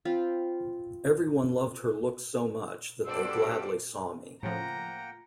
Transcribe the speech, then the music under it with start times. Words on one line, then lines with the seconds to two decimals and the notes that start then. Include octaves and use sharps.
Everyone loved her look so much that they gladly saw me.
0.05 C4 F4 B5
3.05 G2 B2 A4 C5 D5 E6
4.43 A2 C#3 F3 A#3 F#5 G5 A#5